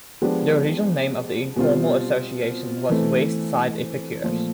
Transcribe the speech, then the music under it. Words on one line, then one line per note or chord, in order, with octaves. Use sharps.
The original name of the informal association was West Side Epicures.
F3 G#3 B3 D4 G4
B2 G3 C4 F4
E3 A3 C4
A#2 F3 A3